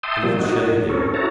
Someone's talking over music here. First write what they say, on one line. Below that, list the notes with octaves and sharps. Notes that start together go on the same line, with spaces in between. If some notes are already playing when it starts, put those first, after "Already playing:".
A little shady.
E5 G5 A5 C6 D#6
F3 G3 A#3
D#4 F#4
G#2
C4 C#4 A4 A#4 C#5
E4 F#4 A4 C#5 A5 A#5